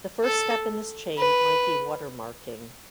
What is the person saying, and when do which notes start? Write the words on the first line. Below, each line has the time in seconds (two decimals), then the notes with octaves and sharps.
The first step in this chain might be watermarking.
0.24 A4
1.17 B4